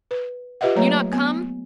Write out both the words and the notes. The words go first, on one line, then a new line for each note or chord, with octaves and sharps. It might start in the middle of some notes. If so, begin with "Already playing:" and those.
You not come?
B4
F4 G4 B4 D#5 E5 F#5
F#3 A3 A#3 C#5 A#5
B3